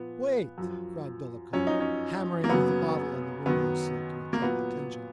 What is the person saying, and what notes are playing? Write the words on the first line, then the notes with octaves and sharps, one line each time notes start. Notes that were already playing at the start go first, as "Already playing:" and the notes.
"Wait!" cried Dolokhov, hammering with the bottle on the window sill to attract attention.
Already playing: A#2 F3 B3
F#2 F3
F#2 F3 C#4
D#4
C#4
A#3
F#2 C#3 F#3 B3
F#2 D#3 F#3 B3
A#3
A#2 F#3 B3